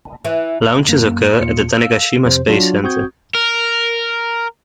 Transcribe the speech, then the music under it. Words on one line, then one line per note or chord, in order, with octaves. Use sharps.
Launches occur at the Tanegashima Space Center.
E3
F#2 A#3
D#2 A#2 F4 C#7
F5 E6
F2 C3 C5
F#3 D4 F4 F#4
C4 F#4 C#6 D#6 G6 G#6
A#4